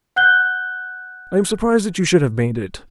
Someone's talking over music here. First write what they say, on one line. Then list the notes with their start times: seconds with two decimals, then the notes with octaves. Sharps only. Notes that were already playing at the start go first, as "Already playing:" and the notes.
I am surprised that you should have made it.
0.16 F#5 F#6 G6 G7